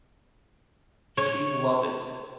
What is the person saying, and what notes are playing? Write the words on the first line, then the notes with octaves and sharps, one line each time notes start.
She love it.
C#5